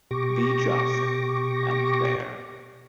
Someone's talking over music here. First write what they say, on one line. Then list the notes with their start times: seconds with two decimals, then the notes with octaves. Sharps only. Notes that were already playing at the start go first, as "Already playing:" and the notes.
Be just and fair.
0.11 B2 G4 C#6 D6 A#6